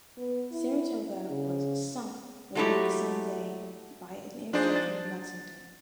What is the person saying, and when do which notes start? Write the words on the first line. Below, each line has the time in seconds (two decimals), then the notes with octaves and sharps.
"Saratoga" was "sunk" later the same day by an airstrike from "Lexington".
0.18 B3
0.52 E4
1.29 C#3
2.55 F#3 G#3 A3 C4 E4 G4
4.53 F3 D4 D#4 G#4 C5 D5
4.76 A6